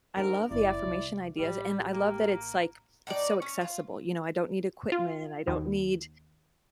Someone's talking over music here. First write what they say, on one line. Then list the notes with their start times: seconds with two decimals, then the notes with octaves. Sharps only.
I love the affirmation ideas, and I love that it's, like, it's so accessible, you know, I don't need equipment, I don't need
0.16 G#2 D4 E4 A#4
0.51 F#1 E4 D5
0.84 C2
1.38 A1 G3 G4
1.93 A#3
3.07 A2 D#4 G4 D5
3.42 C#4
3.61 F4
4.92 F4
5.47 D#2